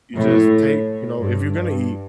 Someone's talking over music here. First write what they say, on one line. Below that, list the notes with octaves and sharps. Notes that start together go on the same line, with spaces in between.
You just take you know, if you're gonna eat,
A2
G2
G2